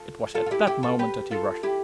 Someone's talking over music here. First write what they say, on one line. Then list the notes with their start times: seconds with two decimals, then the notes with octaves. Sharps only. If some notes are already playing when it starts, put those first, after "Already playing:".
It was at that moment that he rushed me.
Already playing: F4 A4
0.35 F4 A4
0.46 F4
0.51 E4 G4
0.67 E4 G4
0.83 F4 A4
0.99 G4 B4
1.31 F4 A4
1.63 E4 G4